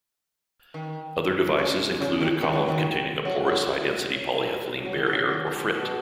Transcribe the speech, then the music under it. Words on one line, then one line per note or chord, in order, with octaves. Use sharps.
Other devices include a column containing a porous high-density polyethylene barrier or frit.
D#3
C#3
C#3
D#3
D#3
F#3
D#3
F#3
F#3
F#3
D#3
B2
C#3
F#3
D#3
B2
G#2
B2